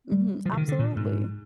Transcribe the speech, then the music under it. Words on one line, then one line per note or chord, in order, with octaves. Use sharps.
Mhm. Absolutely.
G3
F3
D3
D#3
D3
A#2
G#2